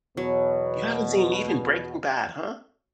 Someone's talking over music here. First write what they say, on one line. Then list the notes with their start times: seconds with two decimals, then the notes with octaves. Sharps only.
You haven't seen even Breaking Bad, huh?
0.17 E2 B2 F#3